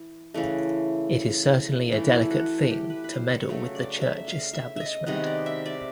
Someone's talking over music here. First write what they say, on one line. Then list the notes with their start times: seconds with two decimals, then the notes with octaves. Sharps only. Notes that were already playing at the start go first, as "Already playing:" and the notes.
It is certainly a delicate thing to meddle with the church establishment.
Already playing: E3
0.34 C#3 E3 A3
1.92 E3 A3 E4
2.31 F#4
2.71 G4
2.90 B4
3.04 B4
3.09 C5
3.29 C#5
3.49 C#3 F#3 A3 C#5
3.75 D5
4.01 E5
4.28 F5
4.53 E5
4.76 D#5 E5
5.06 C3 D#3 G#3 B3 D#5
5.26 D5
5.46 E5
5.66 D5